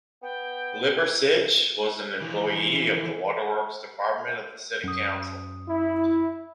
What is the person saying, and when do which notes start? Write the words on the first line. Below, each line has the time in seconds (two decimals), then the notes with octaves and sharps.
Liversidge was an employee of the waterworks department of the City Council.
0.22 B3 G5
2.22 E3 F3
4.84 F#2 D#6
5.67 E4